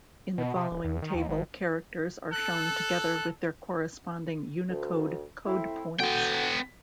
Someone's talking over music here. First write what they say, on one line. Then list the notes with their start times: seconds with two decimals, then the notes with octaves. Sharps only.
In the following table characters are shown together with their corresponding Unicode code points.
0.38 B2
0.55 C3
0.71 D#1
0.84 E2
1.02 D#3
1.14 D#2
1.29 G#1
2.32 A4 F#6
4.70 D2
5.46 A3 C4 E4
6.00 D3 B3 F#4 G5